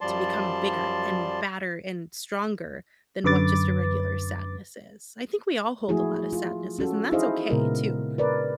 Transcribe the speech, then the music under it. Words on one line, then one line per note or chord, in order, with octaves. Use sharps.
to become bigger, and badder, and stronger than what just a regular sadness is, I think we all hold a lotta sadnesses, and that's okay too.
F#2 F3 G3 D5 A5 C6
F#2 D3 B4 D6 A6
F3 A3 E4 F#4 G#4
F4
C#4 F#4 A4
D#4 E4 G#4 C5 D#5 F5
A#2 C#3 G#3 B3 A#4
A#4 B4 D5